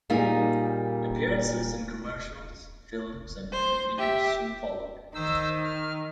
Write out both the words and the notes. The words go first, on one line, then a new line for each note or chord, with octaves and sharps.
Appearances in commercials, films and music videos soon followed.
A#2 G3 A#3 D#4 G#4
C5
G4 E5
D#3 C5 E6
F6